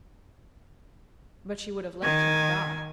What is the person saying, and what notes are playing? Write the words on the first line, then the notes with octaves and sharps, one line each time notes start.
But she would have left him a god.
D#3 G#5